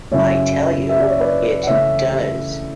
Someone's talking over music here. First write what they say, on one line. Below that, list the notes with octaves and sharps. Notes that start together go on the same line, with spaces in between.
I tell you it does.
F#2 C#3 F#3 C#4 E4 C#5 E5
E5
D5
C#5
B4 D5
F#5
C#3 E3 A3 C#4 C#5 E5